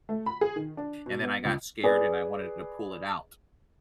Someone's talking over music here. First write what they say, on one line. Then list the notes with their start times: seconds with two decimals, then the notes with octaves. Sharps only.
and then I got scared and I wanted to pull it out,
0.09 A3
0.26 B5
0.41 G#4
0.56 D#3
0.77 D4
1.06 B2
1.22 B3
1.45 C#2
1.84 G#4 B4 D5